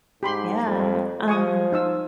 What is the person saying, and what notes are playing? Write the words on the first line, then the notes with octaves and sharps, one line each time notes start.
Yeah, um,
G#2 G4 B5 C6
F2
F3 G#5 C#6 D#6
D#4 F4 E6